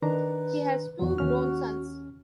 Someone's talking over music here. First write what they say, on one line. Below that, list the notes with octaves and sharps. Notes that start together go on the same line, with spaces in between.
He has two grown sons.
D#3 D4 B4 A#5
E2 F#3 F#4
D#2 C#4 F6